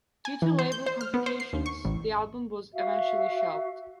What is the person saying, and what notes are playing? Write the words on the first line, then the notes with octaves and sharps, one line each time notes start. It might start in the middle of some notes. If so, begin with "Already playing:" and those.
Due to label complications, the album was eventually shelved.
G#5
E3
C5
G6
C5
F6
B3
C5
C7
D#2
C#6
A1
F#4 E5 F5